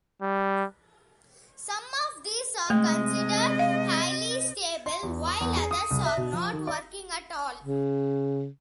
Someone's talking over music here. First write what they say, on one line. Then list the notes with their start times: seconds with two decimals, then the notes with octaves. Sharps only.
Some of these are considered highly stable while others are not working at all.
0.22 G3
2.70 C3 G#3 A3 D#5
3.59 F5
4.86 C6
5.03 E2
5.28 D#6
5.41 E2
5.56 G#4
5.71 D#6
5.91 C2
6.05 E5
6.17 B2
6.33 F3
6.53 D#3
6.67 D5
7.64 C#3